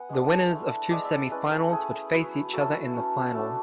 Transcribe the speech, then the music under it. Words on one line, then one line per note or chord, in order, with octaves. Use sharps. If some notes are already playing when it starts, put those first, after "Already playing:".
The winners of the two semi-finals would face each other in the final.
Already playing: B3 F#5 G#5
G#3 D4
A3 E4
G#3 B3 E4 D5
E5
D5
G#3 C#4 E4 B4
A4
A3 E4 G#4
F#3 B3 E4
F#3 C#4 E4 A4
F#3 A3 C#4
A3 D4 A4